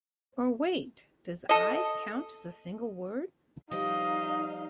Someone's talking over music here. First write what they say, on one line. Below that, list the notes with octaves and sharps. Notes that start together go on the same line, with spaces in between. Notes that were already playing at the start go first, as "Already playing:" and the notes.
Or wait, does I've count as a single word?
A4 D#5
F3 G3 D#4 D#5 F5